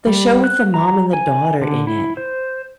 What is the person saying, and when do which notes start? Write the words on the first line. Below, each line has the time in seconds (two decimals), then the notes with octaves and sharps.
the show with the mom and the daughter in it.
0.07 G3
0.44 F#6
0.74 A#5
1.13 G#5
1.62 D3
1.87 E4
2.17 C5